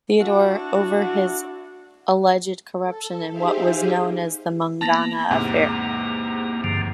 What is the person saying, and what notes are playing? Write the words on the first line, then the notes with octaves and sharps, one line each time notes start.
Theodore over his alleged corruption in what was known as the Mungana affair.
D4 E4 F#4
A4
D#4 G4 G#4 C5 E5 F5
A#3 B3 A5 A6 A#6
E2 G#2 C3 A#3
G2 D3 F3